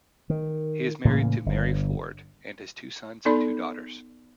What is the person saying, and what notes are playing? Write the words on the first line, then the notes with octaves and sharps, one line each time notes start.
He is married to Mary Forde and has two sons and two daughters.
D#3
A2 C#3 E3 A#3
G1
B3 D#4 A4 D5 B5 C6